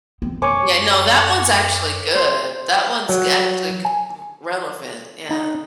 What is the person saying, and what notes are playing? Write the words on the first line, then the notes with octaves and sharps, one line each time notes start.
Yeah, no, that one's actually good, that one's g actually g r relevant, yeah.
B3 C4
F#2 C#5 G#5 D6
C5
F#3
G#5
D#4